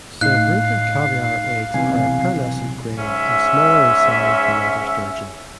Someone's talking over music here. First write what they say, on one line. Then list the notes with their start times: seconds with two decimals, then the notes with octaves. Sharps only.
Sevruga caviar eggs are a pearlescent grey, and smaller in size than other sturgeon.
0.21 A2 D#4 F5 F#6 C7
1.74 B1 C3 E3 G#5
2.98 G#2 C#4 E5